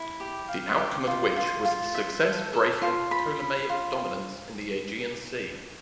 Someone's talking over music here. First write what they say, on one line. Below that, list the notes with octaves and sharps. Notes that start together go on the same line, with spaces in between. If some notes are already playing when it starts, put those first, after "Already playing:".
The outcome of which was the success breaking Ptolemaic dominance in the Aegean Sea.
Already playing: E4
G4
F5
G4
F4
F4
F4
E5
A4
A4
F4
B5
B5
F4